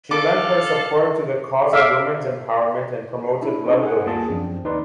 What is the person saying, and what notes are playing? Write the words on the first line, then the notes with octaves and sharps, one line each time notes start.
She lent her support to the cause of women's empowerment and promoted blood donation.
A4 F5 D6
E5 F5 D6
D4 E4
C4 C#4 D#4 G#4 A4 C5
G#4 A#4 F#5
D#2 A#3 F4 G#4 A5
F#2 F3 C4 D4
D#2 D#4 B4 D5 C6